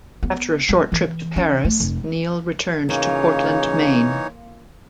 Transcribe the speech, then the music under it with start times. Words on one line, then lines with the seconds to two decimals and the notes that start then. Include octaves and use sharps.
After a short trip to Paris, Neal returned to Portland, Maine.
0.23 B3
0.69 G3
0.92 E3
1.36 C#4
1.65 A3
1.80 F1
2.89 C#3 E3 A#3 D#4 F4 C#5